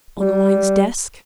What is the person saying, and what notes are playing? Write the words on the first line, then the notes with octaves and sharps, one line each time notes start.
"On Lyne's desk?"
G3